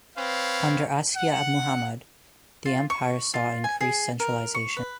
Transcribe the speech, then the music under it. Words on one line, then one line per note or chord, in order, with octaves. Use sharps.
Under Askia Muhammad, the Empire saw increased centralization.
C4 B4 C#5 F5
F#5
F4
C#6
F4
G#5
G#4
A#4
C#6
B4